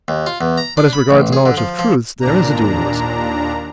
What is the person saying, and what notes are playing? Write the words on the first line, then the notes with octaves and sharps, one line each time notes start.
But as regards knowledge of truths, there is a dualism.
D#2
F4
E2
A#5
D4
B5
A1
G#4
D3
F3
F3
D#2 A#2 D4 A#5